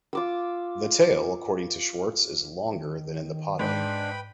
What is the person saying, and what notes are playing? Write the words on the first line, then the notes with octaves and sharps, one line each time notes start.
The tail, according to Schwartz, is longer than in the potto.
F4 D6 E6
D#3
G#2 D4 B4 G5 B5